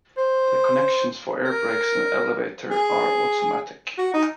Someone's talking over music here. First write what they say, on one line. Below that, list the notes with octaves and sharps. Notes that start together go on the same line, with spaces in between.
The connections for airbrakes and elevator are automatic.
C5
A#4
G#4
F#4
D#4